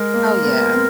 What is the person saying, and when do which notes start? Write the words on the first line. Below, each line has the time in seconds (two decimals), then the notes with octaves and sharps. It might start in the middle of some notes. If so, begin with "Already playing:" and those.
Oh yeah.
Already playing: G#3 A#4
0.14 A#3
0.43 B3
0.73 C4